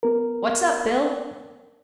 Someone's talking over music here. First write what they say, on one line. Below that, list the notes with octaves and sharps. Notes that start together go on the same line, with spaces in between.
"What's up, Bill?"
B3 A#4